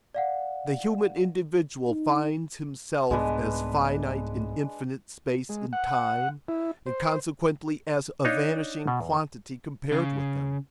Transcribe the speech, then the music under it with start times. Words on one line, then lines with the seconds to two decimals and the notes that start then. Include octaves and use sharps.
The human individual finds himself as finite in infinite space and time, and consequently as a vanishing quantity compared with them.
0.15 D5 F5 F#5
1.90 D#4
3.11 C2 G#2 G#3 B3 D4 B4
5.49 G#3
5.73 F#5
6.48 E4
6.86 C5
8.25 D4 D#4 C#5 D#5 F5
8.87 B2
9.01 E2
9.92 C#3